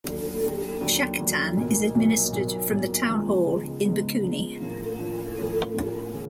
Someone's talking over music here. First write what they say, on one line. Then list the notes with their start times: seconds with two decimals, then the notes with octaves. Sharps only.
Shakotan is administered from the town hall in Bikuni.
0.05 D#2 D3 F#3
0.42 D#2 D3 F#3
0.81 D#2 D3 F#3
1.19 D#2 D3 F#3
1.57 B1 A#2 F#3 A#3
1.95 B1 A#2 F#3 A#3
2.33 B1 A#2 F#3 A#3
2.71 B1 A#2 F#3 A#3
3.09 C#2 C#3 F3 G#3 B3
3.47 C#2 C#3 F3 G#3 B3
3.85 C#2 C#3 F3 G#3 B3
4.23 C#2 C#3 F3 G#3 B3
4.60 A2 F3 A#3 C#4 F4
4.98 A2 F3 A#3 C#4 F4
5.37 A2 F3 A#3 C#4 F4
5.74 A2 F3 A#3 C#4 F4
6.14 C#3